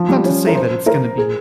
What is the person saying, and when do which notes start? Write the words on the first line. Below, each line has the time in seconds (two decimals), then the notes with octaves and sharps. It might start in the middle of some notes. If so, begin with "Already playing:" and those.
Not to say that it's gonna be
Already playing: F3
0.09 G3
0.24 C#4
0.47 A#4
0.55 C5
0.86 A#4
1.18 G#4